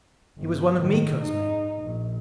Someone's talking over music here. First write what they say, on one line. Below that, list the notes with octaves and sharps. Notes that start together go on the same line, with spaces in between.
He was one of Miko's men.
G1
A2 D#3
G#2 D#4
A#1